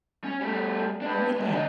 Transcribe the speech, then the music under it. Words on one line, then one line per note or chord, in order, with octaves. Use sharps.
have a good day.
C#4
G3 A3
D4 B4
D3 G#3
D4 D#5